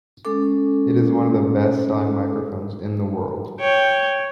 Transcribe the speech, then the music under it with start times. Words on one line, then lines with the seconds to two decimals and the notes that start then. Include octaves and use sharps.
It is one of the best-selling microphones in the world.
0.25 G#3 C#4 A4 D6
3.60 C#5 G5